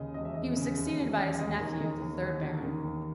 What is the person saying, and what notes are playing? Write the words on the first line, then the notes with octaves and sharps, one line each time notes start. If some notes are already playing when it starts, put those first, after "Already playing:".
He was succeeded by his nephew, the third Baron.
Already playing: D#2 C#3 D#5
E1 D#5
E5
E1 D#5
C#3
D#2
E1
E1
D#2 D#5
D#3
D#3 D#5
D#2
D#2
D#3
D#3
D#2